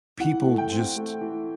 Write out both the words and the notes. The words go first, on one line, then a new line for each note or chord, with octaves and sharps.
people just
E3 F#5
A3
G5
C4
A3
E3